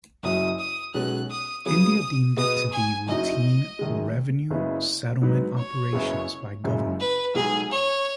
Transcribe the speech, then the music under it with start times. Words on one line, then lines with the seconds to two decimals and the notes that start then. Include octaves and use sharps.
India deemed it to be routine "revenue settlement operations" by Govt.
0.23 F#1 F#2 F#3 D#6
0.59 D#6
0.94 B1 B2 G#3 C#4 F#6
1.31 D#6
1.65 C#3 F#3 B3 G#4 D#6
2.37 B2 B3 G#4 B4 D#5 D#6
2.72 G#5
3.08 F#1 F#2 F#3 D#4 D#5
3.79 F#2 D#3 G#3
4.50 F#1 F#2 C#3 B3 G#4
5.22 G#2 F#3 B3 D#4 B4
5.57 C#5
5.93 F#1 F#2 C#3 B3 G#4
6.64 F#1 F#2 C#3 G#3
7.00 B4
7.35 B1 B2 G#3 D#4 G#4
7.71 C#5